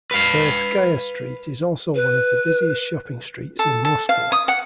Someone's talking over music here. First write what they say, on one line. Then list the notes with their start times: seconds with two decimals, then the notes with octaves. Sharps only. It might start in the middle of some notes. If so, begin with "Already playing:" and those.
Tverskaya Street is also one of the busiest shopping streets in Moscow.
0.11 B4 F5
1.94 B4
3.59 A4
3.85 A4
4.09 F5
4.32 D#6
4.48 F#5